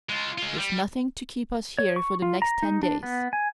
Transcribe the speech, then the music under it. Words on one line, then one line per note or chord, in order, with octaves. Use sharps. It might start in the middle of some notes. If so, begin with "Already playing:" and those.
There's nothing to keep us here for the next ten days.
G#3 F4
G#3 F4
G3
C#5
C#6
F4
A#5
D#4
D4
B3
G#5